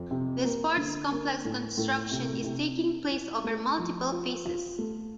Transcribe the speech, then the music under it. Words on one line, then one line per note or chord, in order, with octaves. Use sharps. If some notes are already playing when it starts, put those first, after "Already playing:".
The sports complex construction is taking place over multiple phases.
Already playing: F2
C3
A#3
D3
A#3
A2
A2
C3
C3
E4
E4
A3
F3
F4
F4
A3